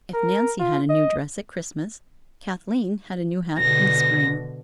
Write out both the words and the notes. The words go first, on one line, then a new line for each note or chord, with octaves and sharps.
If Nancy had a new dress at Christmas, Kathleen had a new hat in the spring.
A#4
F4
D#5
B2 D3 A#6